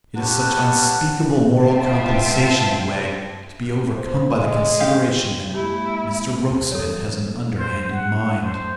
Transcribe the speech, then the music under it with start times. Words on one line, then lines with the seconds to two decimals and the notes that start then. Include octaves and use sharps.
It is such unspeakable moral compensation to Wegg, to be overcome by the consideration that Mr Rokesmith has an underhanded mind!
0.17 C#4 G4 B4 F#5 A5
1.60 B3 F4 C5 E5 G5 A5
3.97 C5
4.33 G#3
4.80 G4 F5
5.54 G#3 A#3 E4 G4
6.51 D#2
6.72 E3 F#3 B3 A4 C#5
7.57 C5
7.90 F#5
8.42 C5